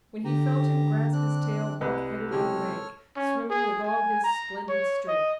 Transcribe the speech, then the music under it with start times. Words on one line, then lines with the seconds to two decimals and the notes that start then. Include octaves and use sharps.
When he felt him grasp his tail, Buck headed for the bank, swimming with all his splendid strength.
0.25 D3 G4 A#5
1.13 C4 D4 F#6
1.81 C2 B4 D#5
2.31 F#1 C3 G#3 G4 A4 C#5 F6
3.16 C#4
3.50 G#4
3.84 G#5
4.24 A#5
4.69 C#5
5.08 D#5